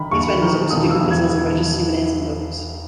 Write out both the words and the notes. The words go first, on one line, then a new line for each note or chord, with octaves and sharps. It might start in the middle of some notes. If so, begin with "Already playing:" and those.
These vendors also do good business in religious Souvenirs and books.
Already playing: D#3 B5
D#2 C#6
D#3
E1 D#6
E6
E2
G#6
D#3 G#6